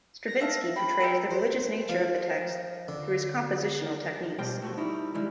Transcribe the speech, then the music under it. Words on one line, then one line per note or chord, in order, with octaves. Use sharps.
Stravinsky portrays the religious nature of the text through his compositional techniques.
A#6
E5 F5 A5
G5 B5
A#4 E5 G5
C5
F3
D3
B1 B2 G3 C5 G5
A3 F#4 C5
G3 D#4 E4
D#3 G3 G#3 E4